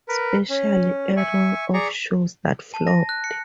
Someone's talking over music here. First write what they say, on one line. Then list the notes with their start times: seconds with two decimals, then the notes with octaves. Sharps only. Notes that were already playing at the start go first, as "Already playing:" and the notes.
Special airing of shows that flopped.
0.08 A#4 B4
0.49 C#4
1.17 E5 G#5 C#6
1.74 G#4 D5 A#5 C#6
2.74 A5
2.87 A#6
3.09 F#6
3.24 C#7